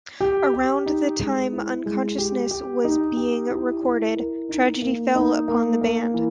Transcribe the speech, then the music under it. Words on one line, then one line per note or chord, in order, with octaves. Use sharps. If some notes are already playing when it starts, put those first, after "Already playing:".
Around the time Unconsciousness was being recorded tragedy fell upon the band.
G4
G4
D#4
G#3
E4
G#3
G4
G4
D#4
G4
E4
E4
A#4
D#4
A#3
D#4
A#3
A#3
E3